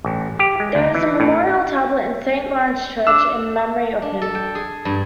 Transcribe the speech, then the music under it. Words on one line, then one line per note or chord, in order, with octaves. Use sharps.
There is a memorial tablet in Saint Lawrence Church in memory of him.
A1
G4
G#3
D2
E3
A2
D4 E6
D4
A4
G5
G#4
G2